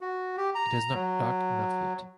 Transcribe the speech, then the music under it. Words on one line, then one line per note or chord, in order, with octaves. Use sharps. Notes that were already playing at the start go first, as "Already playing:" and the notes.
It is not dark enough yet.
F#4
G4
A#5
F#3